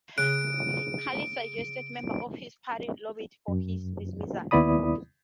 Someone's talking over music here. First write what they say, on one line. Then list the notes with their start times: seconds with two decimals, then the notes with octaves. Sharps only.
Khalid suggested members of his party lobbied for his dismissal.
0.18 C#3 F#6 D7
3.48 F#2
4.51 D#2 B3 E4 D5 B5 D#6